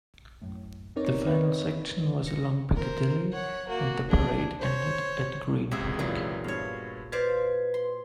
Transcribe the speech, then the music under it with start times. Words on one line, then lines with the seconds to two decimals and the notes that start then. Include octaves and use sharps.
The final section was along Piccadilly and the parade ended at Green Park.
0.41 F#2 A2
0.96 B3 C4 D#4 A#4 C#5 D5
1.26 D#4 B4 C#5 E5
2.00 D#3
2.27 A#6 C#7
2.75 A#4 C5
3.32 C#5 F#5
3.68 A#3 F#4
4.08 D4 G#4
4.60 C5 C#5
5.71 C#2 C3 F#4 G#4 E5
5.99 A#2 E3 F#3
6.44 G2 B3 C#5 F5
7.12 B4 C5 D5 F5 G#6
7.74 C6